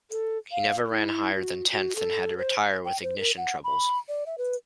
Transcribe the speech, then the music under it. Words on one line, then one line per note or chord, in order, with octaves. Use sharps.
He never ran higher than tenth and had to retire with ignition troubles.
A4
F5
E4
F#4
F#4
A4
C5
G5
C5
A#4
F#5
B5
D5
E5
B4